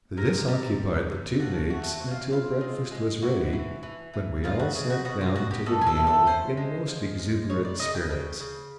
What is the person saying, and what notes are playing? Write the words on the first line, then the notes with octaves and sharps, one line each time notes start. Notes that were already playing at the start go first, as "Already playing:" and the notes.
This occupied the two mates until breakfast was ready, when we all sat down to the meal in most exuberant spirits.
C3 A#4
G3
G3
C3
F3 F#4
A3 F#4
C4 F#4
F4
C4 F4
G#3
G#3
E3 F#4
E3
E3
E3
C#3 F4
F#4
C#3
F#4
B2 F#4
F4
B2 F#4
G4
B2 A4
G#4
A4
A3
A4
C#4 C5
G#3
F3
G#3
C#3 C#5
D5
C#3 D#5
G5
C#3 G5
C#3